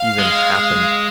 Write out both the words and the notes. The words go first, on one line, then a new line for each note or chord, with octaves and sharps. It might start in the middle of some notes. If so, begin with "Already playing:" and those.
even happened.
Already playing: F5
G#3